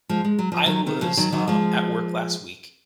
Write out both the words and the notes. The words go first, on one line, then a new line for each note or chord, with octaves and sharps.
I was, um, at work last week,
F3 G#3
G#3
F#3
F3
D#3 F#3
C3 D#3
C#3 F3
D#3 F#3
D#3 F#3
F3 G#3